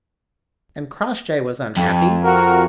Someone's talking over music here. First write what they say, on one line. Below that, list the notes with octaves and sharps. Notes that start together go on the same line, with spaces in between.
And Crossjay was unhappy?
F2
F#4 A#4